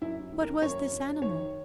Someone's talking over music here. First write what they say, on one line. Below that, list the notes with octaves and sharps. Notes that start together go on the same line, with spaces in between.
What was this animal?
F#2 E4
D#3
A#4
F#2 C#5
F#2
D#3 C#5